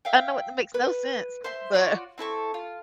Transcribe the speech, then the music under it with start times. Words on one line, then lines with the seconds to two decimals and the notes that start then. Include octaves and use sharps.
I know it makes no sense, but
0.05 E5 F5 G5
0.74 B4
1.44 C5 E5 C6
1.74 F4 F#4 C#5 D5
2.18 C4 E4 A4 C#6
2.54 F4